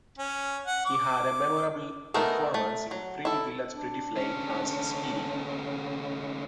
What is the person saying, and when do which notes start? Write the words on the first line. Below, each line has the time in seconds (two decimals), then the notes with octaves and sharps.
He had a memorable performance in "Pretty Village, Pretty Flame" as Speedy.
0.19 C#4
0.66 F#5
0.86 D6
2.14 G#3 A3 B3 D#4 A#4
2.54 A3
2.91 F#3
3.25 E4 A4
3.74 D4
4.16 D2 C#4